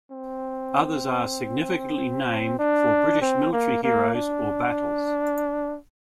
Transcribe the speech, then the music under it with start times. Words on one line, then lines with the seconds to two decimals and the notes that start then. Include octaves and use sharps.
Others are significantly named for British military heroes or battles.
0.11 C4
2.59 D4
3.21 C4
3.53 A#3
3.83 A#3
4.15 D4